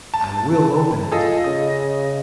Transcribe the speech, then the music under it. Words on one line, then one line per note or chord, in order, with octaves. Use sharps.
I will open it!
A5
F4 G#4 A4 D#5
C#3 D#5